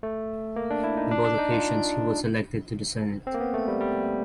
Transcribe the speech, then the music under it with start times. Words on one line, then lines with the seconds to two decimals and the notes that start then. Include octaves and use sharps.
On both occasions he was elected to the Senate.
0.03 A3
0.56 A#3
0.71 D4
0.84 E4
0.97 D#4
1.11 D4
1.25 D4
1.38 D#4
1.52 F4
3.27 C4
3.34 A#3
3.40 B3
3.54 A3
3.68 G3
3.81 G3